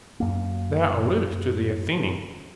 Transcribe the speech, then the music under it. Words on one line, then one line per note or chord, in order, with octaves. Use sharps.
'Thou alludest to the Athenian.
F#2 A#3